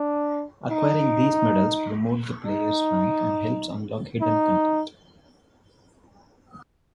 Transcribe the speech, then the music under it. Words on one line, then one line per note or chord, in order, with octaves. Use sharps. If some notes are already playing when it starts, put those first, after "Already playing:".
Acquiring these medals promotes the player's rank and helps unlock hidden content.
Already playing: D4
D#4
D#4
D#4